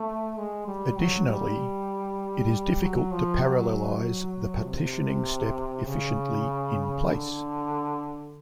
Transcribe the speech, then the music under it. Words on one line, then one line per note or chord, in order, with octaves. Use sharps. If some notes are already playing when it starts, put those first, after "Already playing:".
Additionally, it is difficult to parallelize the partitioning step efficiently in-place.
Already playing: A3
G#3
G3
F#3
G3
F#3
F3
F#3
C3
C#3
D3